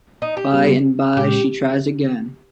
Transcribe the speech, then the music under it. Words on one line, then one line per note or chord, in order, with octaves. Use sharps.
By and by she tries again.
D#4
G4
C#3 G3 B3 G4
A#2 G#3 C#4 G4